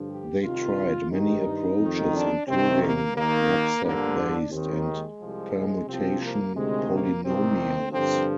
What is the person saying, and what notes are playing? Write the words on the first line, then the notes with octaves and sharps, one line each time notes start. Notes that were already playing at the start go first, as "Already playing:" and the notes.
They tried many approaches including "knapsack-based" and "permutation polynomials".
Already playing: G2 D3 F3
G4
C2 C3 D#3 F4
G2 D#3 D#4
F2 D#3
D4
C2 C3 D#3 C4
A#3
D#2 D#3 A#3
G2 D3 F3 A#3
D4
D#2 D#3 C4
G#3
C2 C3 F3
G#3
C2 C3 F3 C4
A#3
D2 C3 D#3 G#3
A#3
C2 C3 D#3 C4
G2 D3 F3 C4